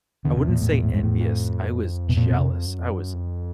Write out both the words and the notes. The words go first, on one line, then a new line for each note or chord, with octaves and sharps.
I wouldn't say envious, I was jealous, I was
E2 D3
C3
A#2
A2
A#2
A2
G#2
A2
F2
E2 B2
F2 A#2
B2
C#3
C3
F#2
F2
F#2
F2